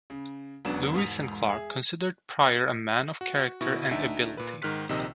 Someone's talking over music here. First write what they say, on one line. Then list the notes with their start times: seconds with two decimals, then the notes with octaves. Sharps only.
Lewis and Clark considered Pryor a man of character and ability.
0.10 C#3
0.65 E1 F#3 B3 C#4 D4 E7
0.94 E1 G#2 D#6 B6 F7
1.48 G#4 E5
3.21 F#4
3.61 B2 E4 C#6
3.91 D2 D4 D#4 E5
4.37 A#2 B4
4.62 G#2 D#3 F6 F#6 B6
4.89 A#1 C3 D#3 D#4 D#5 E6